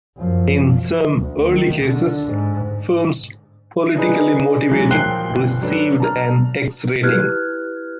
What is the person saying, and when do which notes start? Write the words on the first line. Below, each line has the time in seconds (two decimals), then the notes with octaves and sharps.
In some early cases, films politically motivated received an X rating.
0.17 F#2 F3
1.17 D2
1.47 D#3
1.84 D3
2.27 G#2
3.96 D4 D#4 G#4 B4
4.71 E3 F#3 G#3
4.91 A#2 F3 G5 F#6 C7 G7
5.30 G1
5.62 F#3 D4 A4 B4
6.00 A5 A#5 F6
7.03 E4 G4 B4 F6 F#6 G#6